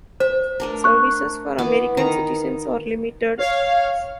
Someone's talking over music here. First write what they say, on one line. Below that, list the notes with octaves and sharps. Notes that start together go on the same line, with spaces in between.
Services for American citizens are limited.
C5 E5
A3 D4 A#4
C#6 F#6
E3 B3 D6
D#3 A#5
C#5 F5